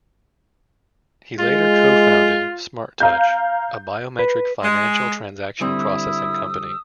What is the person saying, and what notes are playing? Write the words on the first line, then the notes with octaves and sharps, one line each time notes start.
He later co-founded SmartTouch, a biometric financial transaction processing company.
G#3 F4
F5 A#5 G6
B4
G#3
D3 G3 C4 E4 D#6 E6